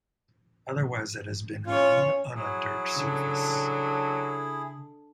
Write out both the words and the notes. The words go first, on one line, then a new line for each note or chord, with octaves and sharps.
Otherwise, it has been run on a dirt surface.
C#4 F4 C#5
F#3 E4 G#4
C#3 D4 A4